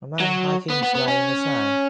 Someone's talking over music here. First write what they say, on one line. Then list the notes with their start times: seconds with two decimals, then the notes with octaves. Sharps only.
A man hiking his way in the snow.
0.20 F#3
0.70 B3
0.83 B3
0.95 B3
1.08 C#4